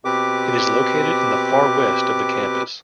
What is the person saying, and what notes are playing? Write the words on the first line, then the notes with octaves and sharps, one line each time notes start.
It is located in the far west of the campus.
B2 C4 G4 B4 D6